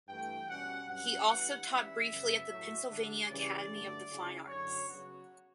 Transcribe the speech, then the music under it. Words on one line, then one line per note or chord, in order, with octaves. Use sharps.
He also taught briefly at the Pennsylvania Academy of the Fine Arts.
G2 E3 A3 G5
B2 G3 C#4 F#5
G2 F#3 C#4 F#5
E3 G3 B3 D4
E3 G3 C#4 E4 E5
F#2 C#3 F#3 B3
A2 F#3 A3
D3 G3 D4
C#3 E3 G3 C#4 D5
G2 D3 A3
C#3 F#3 C#4 E4
F#2 D3 F#3 C#5
C#3 F#3 B3 F#4